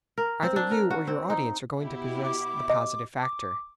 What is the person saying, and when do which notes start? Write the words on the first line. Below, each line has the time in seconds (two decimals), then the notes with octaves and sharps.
Either you or your audience are going to possess the positive factor.
0.18 A#4
0.43 C4
0.56 D4
0.71 A#4
0.90 F#4
1.07 C4
1.30 D#4
1.80 B2 E4 G4
2.24 D6
2.70 D#5
3.22 D6